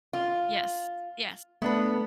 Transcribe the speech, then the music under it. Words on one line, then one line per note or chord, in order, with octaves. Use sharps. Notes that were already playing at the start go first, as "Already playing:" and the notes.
Yes, yes.
F4
A3 B3 D4 B4